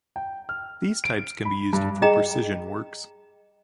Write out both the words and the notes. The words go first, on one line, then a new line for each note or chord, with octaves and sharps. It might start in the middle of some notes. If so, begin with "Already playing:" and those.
These types can be used for precision works.
G5
F6
D7
B5
G2
G#4 D#5 G5 A#5